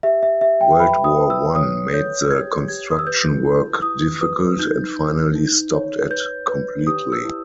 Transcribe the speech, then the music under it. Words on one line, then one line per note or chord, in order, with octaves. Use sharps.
World War One made the construction work difficult, and finally stopped it completely.
G4 E5
E5
G4 E5
G5
B4 B5
D#6
B4
E6
C#5 D#6
C#5 G6
G4 G#6
G4 G#6
D#6
E6
B4 G6
E4
E4 D#6
B4 D#6
D#4 G6
D#4
D#4
C#5
B4 G6
B4
G4 D#6
E6
E4